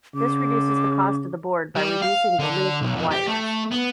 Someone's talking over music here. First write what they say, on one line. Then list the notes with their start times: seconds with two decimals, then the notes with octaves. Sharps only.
This reduces the cost of the board by reducing the length of wires.
0.15 C#3 D6
1.76 G3
2.02 F5
2.39 D3
2.82 B1
2.96 F2
3.11 G4
3.27 A3
3.71 B3